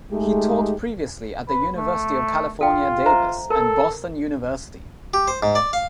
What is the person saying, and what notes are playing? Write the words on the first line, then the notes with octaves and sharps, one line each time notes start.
He taught previously at the University of California, Davis and Boston University.
G#3 A3 D#4 G4 G#4
B4
A3
F4 A4 F5 G5
C5 E5 A#5
A4 A#4
G4
C5
G#2
D5
F5